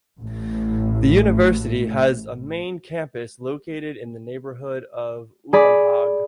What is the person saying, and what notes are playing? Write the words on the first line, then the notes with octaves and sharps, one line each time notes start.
The university has a main campus located in the neighborhood of Ullandhaug.
A1 A2
G#4 D5 B5